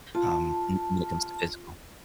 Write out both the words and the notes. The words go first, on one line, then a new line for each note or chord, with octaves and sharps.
um, w when it comes to physical
F4 A5